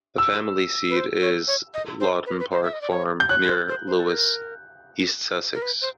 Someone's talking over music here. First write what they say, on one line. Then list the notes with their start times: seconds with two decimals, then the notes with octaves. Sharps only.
The family seat is Laughton Park Farm, near Lewes, East Sussex.
0.18 E6
0.90 B4
0.97 C5
1.22 C#5
1.48 C#5
1.74 D#5
2.00 C5
2.26 B4
2.32 A#4
2.40 B4
2.52 C5
2.63 E5
2.73 D#5
2.81 D5
2.91 C#5
3.20 G6
3.29 C#5 F#6
3.49 C5
3.69 C5
3.87 C5
3.98 A4
4.07 A#4
5.54 A#4
5.62 B4
5.82 C5